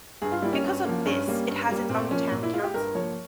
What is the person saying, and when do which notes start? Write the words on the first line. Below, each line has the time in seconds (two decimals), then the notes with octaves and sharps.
Because of this it has its own town council.
0.22 G2 G#4
0.32 F4
0.42 G3 A#3 E4
0.53 C#4
0.64 G2
0.85 F3 A#3
1.05 G2 C#4
1.27 G3 A#3
1.48 G2
1.69 G3 A#3
1.89 A#2 C4
2.11 F3 A#3 C#4
2.31 A#2
2.43 E4
2.53 G#3 F4
2.64 G4
2.74 G2 A#4
2.95 F3 A#3 C#5